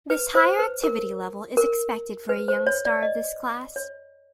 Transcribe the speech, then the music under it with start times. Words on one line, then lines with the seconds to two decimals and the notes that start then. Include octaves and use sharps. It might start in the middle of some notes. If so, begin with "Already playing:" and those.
This higher activity level is expected for a young star of this class.
0.10 B4
0.35 C5
0.59 B4
0.84 A#4
1.57 A#4
2.29 B4
2.48 C5
2.67 C#5
2.85 D5
3.03 D#5
3.76 C#5